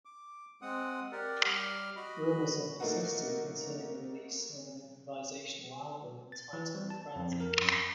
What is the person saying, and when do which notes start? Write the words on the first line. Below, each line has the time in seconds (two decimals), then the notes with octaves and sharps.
Rumors have persisted concerning the release of an improvisational album entitled "Frenzy".
0.05 D6
0.62 G#3 C4 F#5 D#6
1.12 G4 A#4 D5 F#5
1.46 G3 D6 F6
1.96 F#4 D#5 B5
2.80 A3 A#3 D#4 F#4
6.32 A6
6.53 E3
6.74 G3
6.90 A5
7.16 F2
7.40 A#4
7.61 F#2
7.80 B5